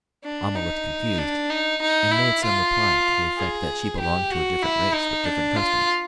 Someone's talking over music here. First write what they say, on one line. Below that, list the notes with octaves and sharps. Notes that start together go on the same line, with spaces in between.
Almah looked confused, and made some reply to the effect that she belonged to a different race with different customs.
D4
D#4
D4
D#4
D#4
E4
F4
G#4
G4
F#4
E4
D#4
D4
F4